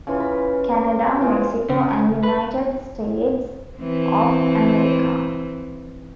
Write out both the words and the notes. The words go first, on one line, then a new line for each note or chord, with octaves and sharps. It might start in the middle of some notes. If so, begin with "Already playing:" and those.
Canada, Mexico, and United States of America.
C#3 E3 F4
B5
F5
D5
C5 G5
E3 G#3 F4
C#3
B4
E3 C4